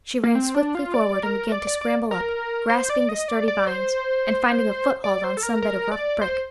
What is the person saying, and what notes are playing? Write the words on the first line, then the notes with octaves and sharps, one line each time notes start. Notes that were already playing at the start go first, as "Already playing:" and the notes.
She ran swiftly forward and began to scramble up, grasping the sturdy vines, and finding a foothold on some bit of rough brick.
A#3
C4
D4
F4
D5
A#4
D5
D5
D5
A#4
C5
D5
D#5
D5
D5
C5
D5
C5
A4
A#4
A#4
D5
C5